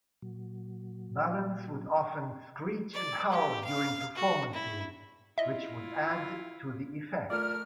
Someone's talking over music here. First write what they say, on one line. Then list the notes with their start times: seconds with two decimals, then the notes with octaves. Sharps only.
Balance would often screech and howl during performances, which would add to the effect.
0.22 A#2 F#3
2.94 D5
3.32 G4
3.64 F5
4.15 F#4
4.53 E4
5.38 E4 F4 D#5 E5
7.30 A3 F4 A#4 D5 F6